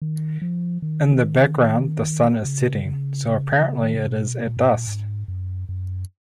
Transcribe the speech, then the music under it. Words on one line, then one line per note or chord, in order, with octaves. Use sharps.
In the background the sun is setting, so apparently it is at dusk.
D#3
F3
D#3
C#3
C#3
D#3
C#3
B2
A#2
G#2
A#2
G#2
F#2
F#2